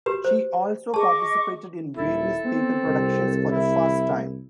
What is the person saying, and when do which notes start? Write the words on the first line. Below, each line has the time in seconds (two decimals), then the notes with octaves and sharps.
She also participated in various theater productions for the first time.
0.06 F#4 G4 B4
0.24 C5
0.94 G#4 D#5 A5 C#6 D6
1.97 D#1 E4 A4
2.45 B3 C4
2.87 C2
3.51 E4